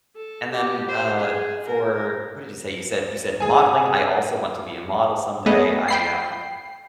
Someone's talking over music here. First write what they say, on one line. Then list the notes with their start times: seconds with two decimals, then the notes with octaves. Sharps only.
And then, uh, for what did you say? You said you said modeling, I also want to be a model someday. I, um
0.16 A4
0.53 G4
0.89 C5
1.19 G#4
1.67 A#4
3.40 G#4 G#5
5.46 A3 B3 G#4 D#5
5.88 G5 B5 C7